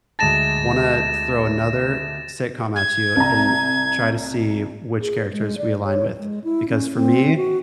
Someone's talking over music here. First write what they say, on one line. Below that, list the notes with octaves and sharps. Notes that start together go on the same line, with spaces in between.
wanna throw another sitcom at you and try to see which characters we align with, because for me,
D2 G#3 A5 A6 A#6 E7
G#6
C2 A#5
G#4
G#3
D5
C#5
G#3
E4
C#4
C4
F#4